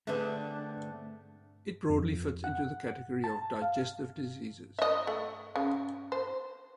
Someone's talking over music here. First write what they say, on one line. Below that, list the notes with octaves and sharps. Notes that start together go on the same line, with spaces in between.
It broadly fits into the category of digestive diseases.
D3 A3 C4 D4 G#4 B4 E5
F2
F#5
A5
F5
D#5 E5
A3
C#3
C5